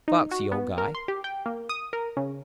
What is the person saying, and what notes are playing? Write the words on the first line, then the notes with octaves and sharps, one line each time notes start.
Foxy old guy.
D#4
F#4
B3
A#4
C6
G4
G5
A#3
D#6
A#4
C#3